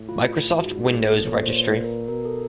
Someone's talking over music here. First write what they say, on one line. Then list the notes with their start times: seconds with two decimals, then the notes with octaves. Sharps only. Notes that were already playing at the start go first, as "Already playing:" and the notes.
Microsoft Windows registry.
Already playing: A2
0.09 F4
0.50 F4
0.59 G#2 F#4
0.84 G#4
1.09 A#2 A4
1.26 C#5
1.43 C5
1.58 B4
1.84 A#4
2.08 B2 A#4
2.25 A4